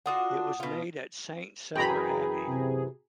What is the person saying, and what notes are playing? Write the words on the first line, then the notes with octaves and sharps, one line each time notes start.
It was made at Saint-Sever Abbey.
D4 F4 F#4 F#5 D#6
B2 F4
F#2 E3 G#4 G5 A#5 B5
C3